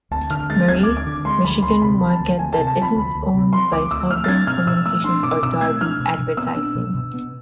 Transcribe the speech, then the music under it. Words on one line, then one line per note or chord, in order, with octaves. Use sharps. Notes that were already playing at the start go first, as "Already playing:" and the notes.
Marie, Michigan market that isn't owned by Sovereign Communications or Darby Advertising.
D2 A5
D3 F6
G#3 A6
D2 G#6
D2 D6
D6
D3
G#3 C6
D2 B5
D2 C6
C3 B5
F3
A5
D2
D2 G#5
A5
C3
A5
F3 B5
D2
D2
C3
F3 C6
D2 D6
D2 E6
A3 F6
A6
D4 G#6
B2 F6
B2 E6
A3 E6
D4 C6
B2 D6
B2 E6
A3 G#6
D4 F6
B2
B2
B3 E6
D4
B2
B2
B3